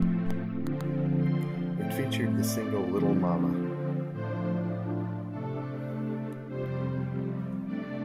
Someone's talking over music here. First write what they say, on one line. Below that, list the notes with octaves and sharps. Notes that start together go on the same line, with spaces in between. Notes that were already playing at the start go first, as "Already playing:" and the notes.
It featured the single "Little Mama".
Already playing: A2 F3 A3 C4
D3 F3 C4
C6
A2 A3 C4 G5
D5
D3 F3 C4
A2 F3 D4 C5
C3 A3 D4 A4
F2 C3 G3 C5
C3 A3 D4 D5